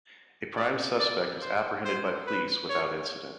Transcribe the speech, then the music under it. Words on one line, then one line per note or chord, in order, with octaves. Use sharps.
A prime suspect was apprehended by police without incident.
D5
D5
C5
C5
B4
C#5